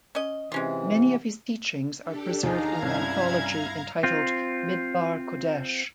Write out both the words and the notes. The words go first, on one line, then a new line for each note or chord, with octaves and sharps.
Many of his teachings are preserved in an anthology entitled "Midbar Kodesh".
C#4 D#5
C3 E3 G#3 C#4 F4
D4 G4 A4
D#2 D#4 G#4 F5 A#5
C2 G2 F#3 G3 C#4 E4 G#6
C4 F4